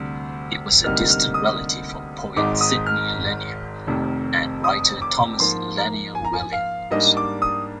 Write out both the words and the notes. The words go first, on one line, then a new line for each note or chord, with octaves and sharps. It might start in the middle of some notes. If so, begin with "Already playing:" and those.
He was a distant relative of poet Sidney Lanier and writer Thomas Lanier Williams.
Already playing: D2 C3 G3
D2 C3 G3 A#3 D#4 F6
F6
D#6
G#1 G#2 D#3 G#3 D6
D#6
F6
F1 F2 C3 D#3
D#6
D6
G#2 F3 A#3 C6
A#5
G#5
A#5
G#5
F5
G#2 G3 A#3 D4 D#5
D6
D#6